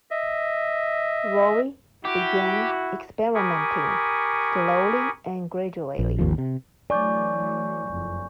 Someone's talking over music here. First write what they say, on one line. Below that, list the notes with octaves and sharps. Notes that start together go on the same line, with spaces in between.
Rowe began experimenting, slowly and gradually.
D#5 E5
E4 F#4 G4
G4 A#4 G#5 B5 C#6 D#6
A#1
G#1 D#2 F3
C3
E3 F#3 A3 D5 G#5 C#6 G6
F#1 F2